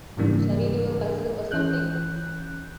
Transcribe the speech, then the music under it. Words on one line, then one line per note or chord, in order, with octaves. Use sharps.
Shall we do a puzzle or something?
G#2 C#3 E3 G3 A#3 D4
E3 C#4 F#6 G6